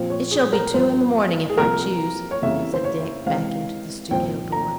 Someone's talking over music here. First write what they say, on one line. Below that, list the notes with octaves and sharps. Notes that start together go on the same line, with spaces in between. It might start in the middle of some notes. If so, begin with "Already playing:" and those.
'It shall be two in the morning, if I choose,' said Dick, backing to the studio door.
Already playing: A#2 F3 C4
C#5
G#4
A#4
G2 F3 C4 C5
G#4
C2 C3 F3 A#3 A#4
C#5
F2 C#3 E3 G3 A#3 E5
C5
C#5
C3 E3 G#3 C4 F5
C2 A#2 F3 C4 G5
A#5